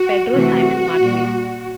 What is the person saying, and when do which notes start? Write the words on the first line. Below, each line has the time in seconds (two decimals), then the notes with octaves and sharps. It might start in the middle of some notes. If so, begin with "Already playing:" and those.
Pedro Simon Martinez.
Already playing: F#4
0.34 C3 E3 A3 F#4
1.01 A#2 G3